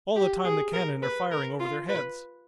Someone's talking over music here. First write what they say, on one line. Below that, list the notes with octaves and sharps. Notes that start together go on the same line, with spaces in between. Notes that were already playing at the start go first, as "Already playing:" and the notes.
All the time the cannon are firing over their heads.
G4
G#4
A#4
B4
A#4
F4
B4